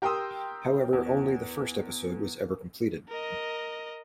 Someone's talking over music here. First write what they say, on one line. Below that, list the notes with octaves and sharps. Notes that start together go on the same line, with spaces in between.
However, only the first episode was ever completed.
G4 A#4 G5 C6 D#6 E6
E2
A#4 D#5